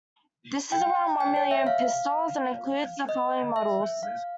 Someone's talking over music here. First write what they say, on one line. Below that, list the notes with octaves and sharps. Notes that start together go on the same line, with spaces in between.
This is around one million pistols and includes the following models.
G5
G5
C#5
E5
F5
D#5
E5
F5